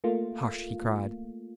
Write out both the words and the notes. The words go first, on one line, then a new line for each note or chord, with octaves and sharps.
"Hush!" he cried.
A3 A#3 F4